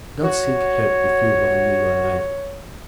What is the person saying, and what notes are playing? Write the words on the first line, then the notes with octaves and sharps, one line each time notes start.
"Don't seek help if you value your life."
F#4 C#5